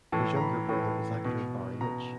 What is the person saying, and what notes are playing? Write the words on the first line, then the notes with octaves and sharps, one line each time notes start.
His younger brother is actor Barry Lynch.
A2 E3 A5
A#5
B5
A2 E3
B2
B2 A#5